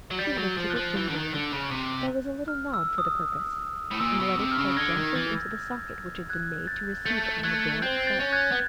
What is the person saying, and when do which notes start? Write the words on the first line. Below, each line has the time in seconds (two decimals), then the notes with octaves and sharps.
He lifted it gingerly--there was a little knob for the purpose--and let it fall gently into the socket which had been made to receive it on the door itself.
0.11 F#3
0.18 G3 G6 A6
0.37 F#3
0.44 G6
0.57 F3
0.70 F#6
0.76 F3
0.96 E3
1.08 D3
1.15 D#3
1.34 D3
1.52 C#3
1.71 C3
2.48 F6
2.74 E6
2.98 D#6
3.91 A2
4.00 A#2 E6
4.20 B2
4.26 E6
4.39 C3
4.51 F6
4.58 C#3
4.76 D3 G#6 A#6
4.97 D#3
5.15 E3 G6 A6
6.29 F#6 G#6
6.67 G6 A6
7.05 A3 G6 A6
7.44 A3 F#6 G#6
7.82 C4 G6
8.07 G6 A6
8.20 C#4
8.32 F#6 G#6
8.52 B3